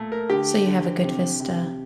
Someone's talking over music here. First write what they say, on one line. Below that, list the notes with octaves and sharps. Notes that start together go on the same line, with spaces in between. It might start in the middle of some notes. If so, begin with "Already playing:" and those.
So you have a good vista.
Already playing: A#2 A3
A#4
D3 G4
D3
C3
C3